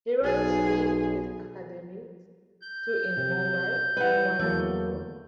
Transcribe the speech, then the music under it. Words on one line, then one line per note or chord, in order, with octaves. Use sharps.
He runs three cricket academies, two in Mumbai and one in Pune.
B1 G#4
G6
C3
G3 E4 B4 F#5
E2 F#3 A3 A#3